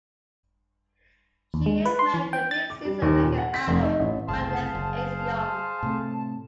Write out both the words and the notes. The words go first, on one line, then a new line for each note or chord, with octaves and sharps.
She is married to fifth season "American Idol" finalist Ace Young.
D#2
G#3
B4
C6
E3
G5
A6
D6
G3
D#2
A#2
F#5
B6
F1
D#4
A1
F#1 C2 A2 G#4 C5 F5 A5
F#1
A2 C3 A3